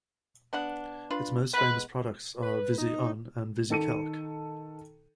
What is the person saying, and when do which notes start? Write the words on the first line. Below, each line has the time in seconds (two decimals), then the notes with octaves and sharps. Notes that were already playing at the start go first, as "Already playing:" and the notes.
Its most famous products are Visi On and VisiCalc.
0.53 B3 D4 F#5
1.10 D4 F4 B4
1.53 G#3 B3 B4
2.42 B4
2.78 D#4
3.70 D#3 A4 C#7 D#7